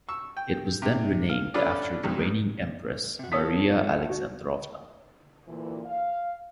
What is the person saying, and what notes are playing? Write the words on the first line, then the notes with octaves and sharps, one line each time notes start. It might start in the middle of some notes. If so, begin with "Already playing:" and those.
It was then renamed after the reigning Empress Maria Alexandrovna.
C#6 E6
G5
C3
F5
C#4 D4 F4 A4 B4 D5
F2 G#2
C3 F#4
F4 A4 C#5 D#6 B6
F#4
D2 A#2 E3
F5